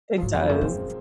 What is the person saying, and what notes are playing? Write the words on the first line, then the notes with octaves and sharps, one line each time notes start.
It does.
F3
G#2 F#3
F2
F3 G#3
F#2
A#3
A#2 G#3 C4